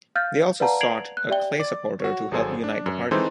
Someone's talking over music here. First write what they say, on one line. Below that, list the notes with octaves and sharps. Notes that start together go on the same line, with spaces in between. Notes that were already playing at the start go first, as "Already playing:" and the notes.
They also sought a Clay supporter to help unite the party.
F5 F6 G6 A6
B4 D5 F5 F#5 A5 A#5
G#6 C7 D7 F7 F#7
F#6
G4 D5 E5 G5 G7
D5
F#4 C#5
G#1 F#3 G#4 A4 C5 G#5
D4
F#2
E3 G#3 C4 D#4 A4 C5